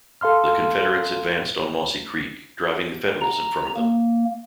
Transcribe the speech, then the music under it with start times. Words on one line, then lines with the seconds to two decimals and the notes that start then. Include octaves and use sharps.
The Confederates advanced on Mossy Creek, driving the Federals in front of them.
0.21 A4 F5 C6 F6
3.21 A#5
3.76 A#3